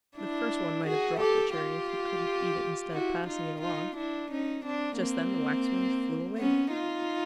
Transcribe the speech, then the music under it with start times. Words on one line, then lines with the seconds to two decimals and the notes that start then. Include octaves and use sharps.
"The first one might have dropped the cherry if he couldn't eat it instead of passing it along." Just then the Waxwings flew away.
0.17 D4 E4
0.86 F#4 G#4
1.20 G4 A4
1.55 F4 G4
2.93 E4 F#4
3.27 D#4 F4
3.61 D#4 F4
3.96 D4 E4
4.31 C#4 D#4
4.65 C4 D4
4.99 A#3 C4
6.38 B3 C#4
6.72 D#4 F4